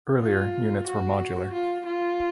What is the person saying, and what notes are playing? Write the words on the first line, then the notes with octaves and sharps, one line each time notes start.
Earlier, units were modular.
F4
F#4
F4
F4